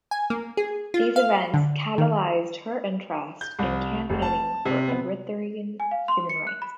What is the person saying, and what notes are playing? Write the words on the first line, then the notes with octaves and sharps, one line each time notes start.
These events catalyzed her interest in campaigning for Eritrean human rights.
G#5
A#3
G#4
F4
F5
D3
D#3
G6
C2
F1
A5
C3
B3
G#5
F5
C6
C#7
F#6
B5